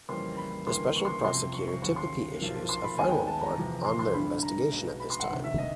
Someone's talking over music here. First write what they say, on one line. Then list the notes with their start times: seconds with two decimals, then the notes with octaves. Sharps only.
The special prosecutor typically issues a final report on their investigation at this time.
0.09 F2 C#3 E3 G3 A#3 C6
0.37 B5
0.66 D2 C#3 E3 G3 A#3 C6
0.96 C#6
1.05 C6
1.24 F#1 F2 C3 F3 C6
1.54 C#6
1.68 C#6
1.82 D#2 C#3 F#3 C#6
1.96 C6
2.41 B1 A#2 F3 A#3
2.69 C6
2.84 B5
2.98 D#2 D#3 G#3 B3 G#5
3.08 G5
3.17 G#5
3.27 A5
3.41 A#5
3.55 F1 E2 C3 F3
3.85 C6
3.99 C6
4.13 A1 G2 D3 B5
4.43 A#5
4.71 B1 B2 G#3 B3
5.00 B5
5.10 C6
5.20 F#5
5.29 D2 C3 D#3
5.44 E5
5.58 D#5